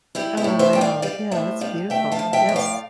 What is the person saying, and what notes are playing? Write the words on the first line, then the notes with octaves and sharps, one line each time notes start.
Oh, wow, yeah, that's beautiful, yes.
G3 E4 G4
E4 G4
A2
C5 E5
G3 G5
D5 F5
G3 D5 F5
A2 C5 E5
G3 D5 F5
A3 E5 G5
F5 A5
F3
E5 G5
A2
D5 F5